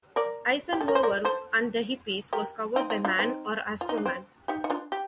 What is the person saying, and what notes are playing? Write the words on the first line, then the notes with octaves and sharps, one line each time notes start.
"Eisenhower and the Hippies" was covered by Man or Astro-man?
A#4 D5
G4
A4
A#4
C5
A#4 D5
A4 C5
G4 A#4
C4 D#4
C4 D#4
D4 F4
C4 D#4
F4
D#4
D4
C4
D#4 G4
D#4
D4 F4
G4